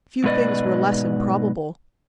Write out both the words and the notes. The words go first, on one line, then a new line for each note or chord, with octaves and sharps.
Few things were less improbable.
G#2 B2 B4 D5 D#5